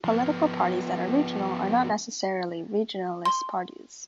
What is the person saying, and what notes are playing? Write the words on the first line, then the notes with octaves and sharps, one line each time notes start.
Political parties that are "regional" are not necessarily "regionalist" parties.
F3 B3
C6